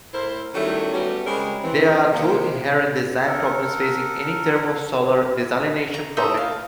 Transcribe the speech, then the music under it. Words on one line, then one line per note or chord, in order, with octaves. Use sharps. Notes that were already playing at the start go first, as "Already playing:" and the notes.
There are two inherent design problems facing any thermal solar desalination project.
A2 E4 A#4 C5
D#3 F#3 G3 A3 C#4 E4
G3 A3 B3 C#4 F#4 G4
C#3 G3 G#3 C4 A#4
E3 C4
C3 A#3
A4 A#4 F#5
A#5
D#4 A4 D#5 E5
F5